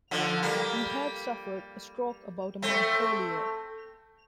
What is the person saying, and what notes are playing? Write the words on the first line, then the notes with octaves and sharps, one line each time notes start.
He had suffered a stroke about a month earlier.
D3 F3
G3 A#3
A3 C4